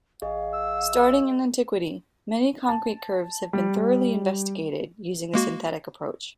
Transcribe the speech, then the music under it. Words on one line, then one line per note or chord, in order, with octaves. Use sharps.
Starting in antiquity, many concrete curves have been thoroughly investigated using the synthetic approach.
A1 G#4 D#5 F5
E6
A5
G3
G3
G#3 A#3 F#4